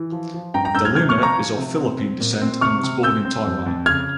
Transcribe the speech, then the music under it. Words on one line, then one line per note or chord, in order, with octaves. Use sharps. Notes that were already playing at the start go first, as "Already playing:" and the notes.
De Luna is of Philippine descent and was born in Taiwan.
Already playing: E3
F3
F3
G2 G5 A#5
G5 A#5
G2 E6 G6
F6 G#6
C3 F6 G#6
C#6 F6
F3
A#5 C#6
F3
C3
C4
C4
A#2
C4
C3 C#6 F6
C3
C4 E6 G6
C4
F2
F2
C#3 F6 G#6